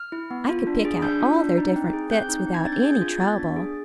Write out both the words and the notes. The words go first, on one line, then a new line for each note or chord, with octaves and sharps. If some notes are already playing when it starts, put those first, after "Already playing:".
I could pick out all their different fits without any trouble.
Already playing: F6
E4
B3
F4
D4
G#4
D4 G6
F4
D4
D#4
C4
G#4
C4 G6
D#4
C4
G#6
D4 A6
G6
G#4 G#6
G6
F4 G#6
B3 A6
D4
G#4